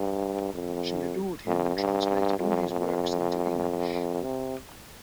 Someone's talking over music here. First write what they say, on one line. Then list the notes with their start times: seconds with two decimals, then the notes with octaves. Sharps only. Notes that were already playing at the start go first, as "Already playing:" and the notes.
She adored him and translated all his works into English.
Already playing: G2
0.54 F2
1.47 F2
1.77 G2
2.39 F2
2.70 F2
4.23 C3